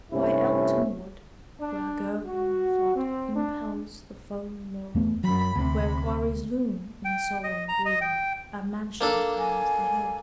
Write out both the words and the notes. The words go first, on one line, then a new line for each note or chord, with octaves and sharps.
By Elkton wood, where gurgling flood Impels the foamy mill, Where quarries loom, in solemn gloom, A mansion crowns the hill.
G2 C3 A3 C#4 E4
D4
F#4
C4
D4
E2 A3 B3
F#2 F#3 B5
D2 C3 B5
G5
D#5
A#5
D#5
G5
A#3 D4 A4
G#5